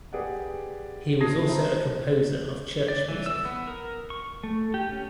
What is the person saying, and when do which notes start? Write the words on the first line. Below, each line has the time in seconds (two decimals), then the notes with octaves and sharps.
He was also a composer of church music.
0.13 G4 G#4 B4 D5 F#5
1.20 A5 D#6 G#6 A#6 C7
1.47 C5 E5 A#5
2.88 D5
3.09 E3
3.26 E6
3.45 B3
3.68 A#4
4.10 C#6
4.44 A3
4.74 G4
4.92 C#4